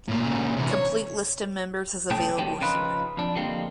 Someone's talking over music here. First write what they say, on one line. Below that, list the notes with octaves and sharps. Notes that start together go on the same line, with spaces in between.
Complete list of members is available here.
A2 A#3
A#2 C#3
C3 E3
C#5
B1 A3 C#4 G#4 A4 G5
D#3 F#3 A3 C4 G4
C#3 F3 D#4 F4 B4
F2 D4
D3 F3 G3 G#3 A#3 C4